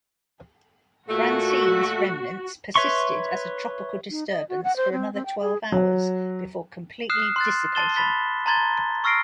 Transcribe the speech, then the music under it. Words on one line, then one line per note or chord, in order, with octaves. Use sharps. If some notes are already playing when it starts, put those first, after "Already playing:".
Francene's remnants persisted as a tropical disturbance for another twelve hours, before completely dissipating.
A#2 A3 F#4
B4 C#5 E5 C6 C#6
D#4
D#5
F#4
F#5
C5
C4
C4
G5
G#4
F#3
D#6 F6 F#6 C7 E7
C6 F#6 A6
A5 C6 A6 E7 G7
B5 A6 B6 G7
A5 A#5 C6 G#6 A6 G7
C#6 E6 F6 A#6 C7 D7